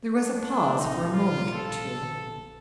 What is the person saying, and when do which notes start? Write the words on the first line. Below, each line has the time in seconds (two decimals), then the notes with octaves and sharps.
There was a pause for a moment or two.
0.16 D4
0.79 A#1 D3 D#4
1.13 F4
1.54 A4